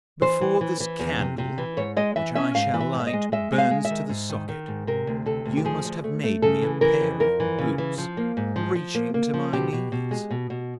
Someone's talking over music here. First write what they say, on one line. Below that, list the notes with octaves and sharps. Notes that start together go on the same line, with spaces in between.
Before this candle, which I shall light, burns to the socket, you must have made me a pair of boots reaching to my knees.
E3 C5
E3
E3
E3
E2
C3
C3
E3
G#2 C#5
G#3 D#5
E3 E5
C#4 E5
G#2 F5
E3
E5
G#2
E5
D#5
G#3
G#3 E5
G#3
F5
G#3
E5
D#3
G#2
D#3
D#3
G#2
C3 A#4
D2
C3 A4
D2
G4
F3 G#4
D2
A3
A3
C#3 A4
E3
E3 A#4
F2
F2 A#4
E3
C#3
E3
F3
A#3
G#2
F3
F3
A#3
A#3
F3
B2 G4
B2
B2
G#3
B2
B2